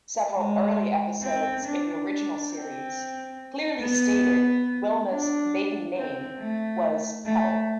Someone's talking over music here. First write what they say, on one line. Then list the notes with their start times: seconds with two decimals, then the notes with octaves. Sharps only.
Several early episodes in the original series clearly stated Wilma's maiden name was Pebble.
0.37 G#3
1.23 C4
1.65 D4
2.08 D4
2.51 C4
3.81 B3
5.10 D4
5.97 C4
6.40 A3
7.26 A3